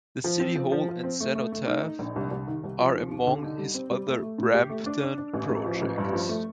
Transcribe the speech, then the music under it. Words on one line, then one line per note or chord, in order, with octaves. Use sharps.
The City Hall and Cenotaph are among his other Brampton projects.
F3
C4
F3
F3
F3
C4
A3
A3
A3
D#4
D#4
A#1
C2
C2
D#3
C2
F3
D#2
D#2
D3
D#4
G3
C4
G3
A3
A3
A2
G4
A3
D4
D4
D4
A1
A1
F3
A1
G2
F3
A3